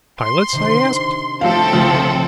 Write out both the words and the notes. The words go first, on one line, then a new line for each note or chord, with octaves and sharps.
"Pilots?" I asked.
C6
C3 D#3 D4
F3 A3 C4 A4 F5
B1 C#3 F3 A5